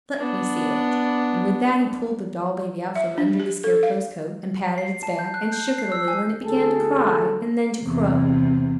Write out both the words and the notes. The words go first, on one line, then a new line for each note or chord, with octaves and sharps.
"Let me see it!" And with that he pulled the doll-baby out from under the Scarecrow's coat, and patted its back, and shook it a little, and it began to cry, and then to crow.
B3 D4
E5
D4
G4
A4
F5
C7
A5
G6
F#6
G6
C7
E6
G#5
D2 G#4 A4
E2 C3